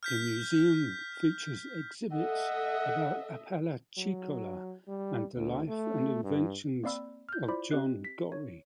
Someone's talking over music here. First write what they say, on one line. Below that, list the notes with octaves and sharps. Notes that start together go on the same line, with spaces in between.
The museum features exhibits about Apalachicola and the life and inventions of John Gorrie.
F6 G6 B6
A4 D#5 E5 F#5
F#3
G3
D2
A3
G2
A#3 C4 D5 F5 B5 E6
F6 G6
E4 F4 C5 D5 B5 D6
C4 G4 D#5 F#6 C7
B6
C#5